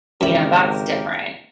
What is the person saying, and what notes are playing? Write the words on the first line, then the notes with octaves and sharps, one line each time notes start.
You know, that's different.
G#1 F#2 C#3 G#3 E4 G4 A#4 D5